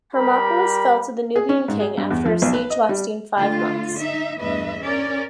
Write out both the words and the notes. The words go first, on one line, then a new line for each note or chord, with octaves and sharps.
Hermopolis fell to the Nubian king after a siege lasting five months.
G3 G4 A#4 B5
G#4
C#4
G#2
G#4
G2
E2
F3
B1
B4
D#5
G3
D3 A3 F4
D#4 E5
E2 G2 A3 B4 D#5 E5
C#4 A#4 D5